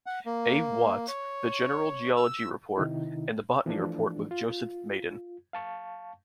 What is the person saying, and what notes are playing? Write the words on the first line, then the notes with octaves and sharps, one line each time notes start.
A. Watt, the general geology report, and the botany report with Joseph Maiden.
F#5
A#3
C#5
E6
C3 D#3 D#4 E4
E3 F3 A3 D4
F4
F5 A5 C#6